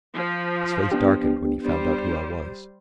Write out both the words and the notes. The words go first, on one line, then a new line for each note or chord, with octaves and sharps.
His face darkened when he found out who I was.
F3
B3 D4 G4
G3 C5